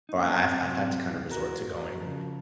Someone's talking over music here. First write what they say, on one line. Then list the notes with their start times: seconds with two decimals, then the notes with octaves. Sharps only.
or I've I've had to kind of resort to going,
0.09 D#4
0.16 A#3 C#4
0.39 C4
0.61 C3 F#3 C4
1.31 F#4 A#4
2.02 C#3 F3